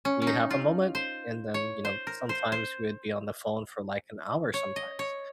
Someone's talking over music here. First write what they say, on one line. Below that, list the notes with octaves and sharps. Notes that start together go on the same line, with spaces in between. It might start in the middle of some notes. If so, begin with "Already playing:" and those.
Do you have a moment?" And then, you know, sometimes we'd be on the phone for, like, an hour sometimes.
C#4
C#4
D#4
F4
C5
C#5
C5
A#4
C5
C5
C#5
D#5
C#5